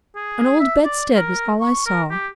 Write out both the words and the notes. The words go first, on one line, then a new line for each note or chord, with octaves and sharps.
An old bedstead was all I saw.
G#4
E5
D5
A#4
C#6
A#4
G4